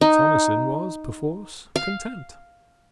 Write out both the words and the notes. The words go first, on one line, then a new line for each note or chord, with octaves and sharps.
Thomasin was perforce content.
D#4
F5